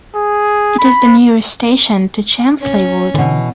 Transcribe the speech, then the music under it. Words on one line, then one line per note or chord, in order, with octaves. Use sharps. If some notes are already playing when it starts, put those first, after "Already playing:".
It is the nearest station to Chelmsley Wood.
G#4
B5
C#4
B2 D3 E3